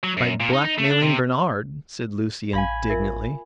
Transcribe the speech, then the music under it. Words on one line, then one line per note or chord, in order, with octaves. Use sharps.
"By blackmailing Bernard," said Lucy, indignantly.
F#3
F#2
A#2
D#4
D#4
A3
D4
C3
A1 D5 F5 G5 G#5 B5
F4 A#4 E5